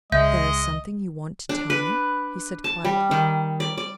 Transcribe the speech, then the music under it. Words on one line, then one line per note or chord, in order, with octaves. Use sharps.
"There is something you want to tell me?" he said quietly.
C#2 G#3 D#5 E5 G6
D4
B4
A5
G3
D#3
D5
D5